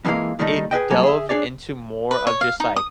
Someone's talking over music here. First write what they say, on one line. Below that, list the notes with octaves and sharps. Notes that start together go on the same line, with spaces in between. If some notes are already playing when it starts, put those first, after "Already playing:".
it delved into more of just, like,
F2 B2 E3 G#3 A#3 F5
A#2 D#3 G3 A3 D#4
G#4 B4 D#5 G5
G2 F#3 A#3 A4 C#5 G#5
G#4 E5
D4 G#4 C#5 D5
B4
C#5
F5
D#4
D#6